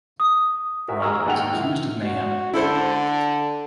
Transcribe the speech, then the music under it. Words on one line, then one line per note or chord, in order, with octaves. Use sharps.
Boronda was accused of mayhem.
D#6
F#4 A#4 E5 G#5
F#4 G#4 A#5 E6 F6
D#2 G#2 F#5 G5 F7
F3 E4
F#4
D3 E4 A4 C5